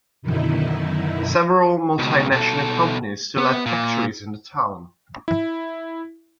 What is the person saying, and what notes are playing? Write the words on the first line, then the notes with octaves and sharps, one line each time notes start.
Several multi-national companies still have factories in the town.
F#2 B2 D3 D#3 D#4 E4
C#2 B2
B2 A4
B3
A#2
E4